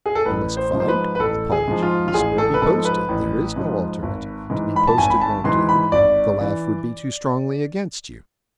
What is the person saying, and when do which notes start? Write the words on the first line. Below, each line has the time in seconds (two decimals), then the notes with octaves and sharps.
"You must fight, apologize, or be posted; there is no alternative. To be posted won't do; the laugh would be too strongly against you."
0.06 G#4
0.15 A4
0.25 A1 B4
0.57 C5
0.73 G#2 F3
0.80 C5
0.88 B4
1.15 B4
1.20 A1 A4
1.52 G#4
1.68 G#2 F3
1.83 F4
2.08 F4
2.14 A1 G#4
2.38 A4
2.54 B4
2.62 G#2 F3 A4
2.85 B4
3.09 A1
3.56 G#2 F3
4.03 G#1
4.50 G#2 E3
4.76 B5
4.87 A5
4.98 G#1 G#5
5.10 B5
5.21 A5
5.44 G#2 E3 C6
5.69 B5
5.92 G#1 D5
6.41 E3